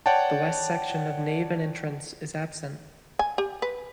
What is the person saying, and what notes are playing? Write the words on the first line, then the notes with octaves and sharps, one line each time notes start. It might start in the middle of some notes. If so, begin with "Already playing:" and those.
The west section of nave and entrance is absent.
C#5 D5 F#5 G5 A5
G#5
G4
B4